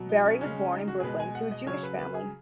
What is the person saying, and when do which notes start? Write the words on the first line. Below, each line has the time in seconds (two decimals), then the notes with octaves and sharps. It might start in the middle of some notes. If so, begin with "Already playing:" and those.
Barry was born in Brooklyn to a Jewish family.
Already playing: B2 F#3
0.09 D#4
0.25 C#4
0.41 C#3 G#3 C#4
0.57 C#4
0.72 D#4
0.88 F#4
1.00 G#4
1.03 B2 G#3 B4
1.20 G#5
1.35 F#5
1.51 D#5
1.66 C#3 F#3 C#5
1.83 B4
1.98 B4
2.14 G#4